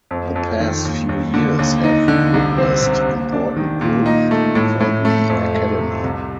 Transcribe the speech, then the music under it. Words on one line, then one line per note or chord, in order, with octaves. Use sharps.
The past few years have witnessed important growth for the Academy.
F2
F2
D#3
D#2
D#2
D3
D#2
D#4
D3
C2
C4
C3
D#2
D4
D#3
A#2
D#4
A3
A2
A2
A3
F2
A3
C3
C2